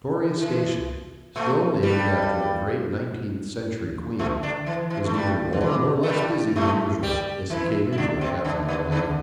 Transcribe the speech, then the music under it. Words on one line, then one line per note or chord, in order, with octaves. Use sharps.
Victoria Station, still named after the great nineteenth-century Queen, was neither more nor less busy than usual as he came into it half-an-hour later.
E3
A2 A3
G2 G3
A2 A3
D3 D4
E3
E3
A3
G2 G3
D3
E3
A3
G2 G3
A2 A3
G3 G4
E3 E4
E4
D3 D4
C3 C4
D3 D4
D3 D4
D3 D4